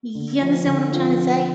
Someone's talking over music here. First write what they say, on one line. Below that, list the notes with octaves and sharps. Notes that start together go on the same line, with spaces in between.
Y you understand what I'm trying to say?
D3
F3 C4 D#4
D3
F3 C4 F4